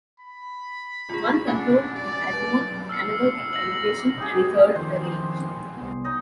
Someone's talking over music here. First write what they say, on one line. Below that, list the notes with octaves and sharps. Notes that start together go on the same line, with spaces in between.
One controlled the azimuth, another the elevation, and the third the range.
B5
F4 G#4
C#4 D4 G#5
D5
F#3
E6 F6 C7 C#7
A#6 F#7
D#4 G4 G#4
D#3 F3 C5
C2 B3
D#4 D#5